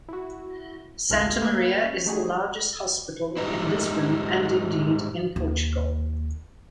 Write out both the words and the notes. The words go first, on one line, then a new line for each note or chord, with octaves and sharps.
Santa Maria is the largest hospital in Lisbon and indeed in Portugal.
E4 F#4
G1 C2 G3 A4 F5 C6
A#3 B4 E5 F5 G#6
C#4
G3 A3 D#4 F#4 G#4
G#2 G3 D#4 E4
D#2